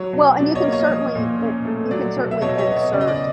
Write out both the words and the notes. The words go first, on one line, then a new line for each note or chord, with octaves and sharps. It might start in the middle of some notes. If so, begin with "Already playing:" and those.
Well, and you can certainly i you can certainly insert
Already playing: F#3 C#5
B2
B2 D5
C#5 D#5
A#3
C#5 D#5
F3
A#2
C#4
A3
F#3 D5
B2
E5
B2 C#5 D#5
C#5 D#5
B3
C#5
C#3 D5
D#5
D5
D#5